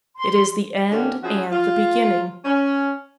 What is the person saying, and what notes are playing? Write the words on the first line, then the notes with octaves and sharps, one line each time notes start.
It is the end and the beginning.
C6
D3 A#3 C#4 F#4 G4
F3 C#4 E4 F#4 G#4 F#5
F4
C#4